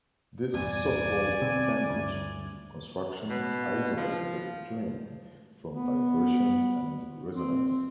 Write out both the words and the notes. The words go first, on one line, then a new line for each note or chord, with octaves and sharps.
This so-called 'sandwich' construction isolate the plinth from vibrations and resonance.
A#1 E2 G2 D5 G#5
B2 D3 C4
D2 G2
B2
F3
B3
C4